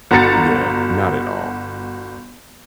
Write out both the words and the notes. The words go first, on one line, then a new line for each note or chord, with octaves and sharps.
Yeah, not at all.
G1 F#4 A#5 A6 C#7